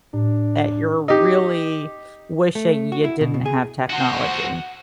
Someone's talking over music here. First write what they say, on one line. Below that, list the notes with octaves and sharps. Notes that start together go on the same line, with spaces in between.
that you're really wishing you didn't have technology.
A2 D4
D#4 G4
A3
F#4
E4
B2
B2
G#4
F#4 C5 F#5